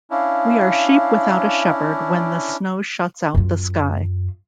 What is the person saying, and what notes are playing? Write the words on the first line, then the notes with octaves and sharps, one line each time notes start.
We are sheep without a shepherd when the snow shuts out the sky.
C#4 D4 E4 F5
F#2 F4